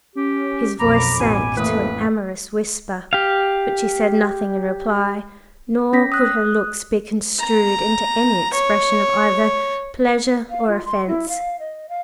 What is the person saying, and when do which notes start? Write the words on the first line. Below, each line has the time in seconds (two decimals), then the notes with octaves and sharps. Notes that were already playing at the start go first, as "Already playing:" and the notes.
His voice sank to an amorous whisper; but she said nothing in reply, nor could her looks be construed into any expression of either pleasure or offence.
0.15 C#4 G4
0.79 B1 F2 A#5 B5 D6
1.20 A1 B2 G#5
1.57 A1 F2 A2 A3 A#3 B4 D#6
3.13 G4 F5
5.93 C#4 A#6 B6
6.12 D#6 F#6
7.39 A#5
8.53 C#5
10.50 F5
10.68 F4
10.85 C6
11.07 E4
11.28 F5
11.59 D#5
11.89 F5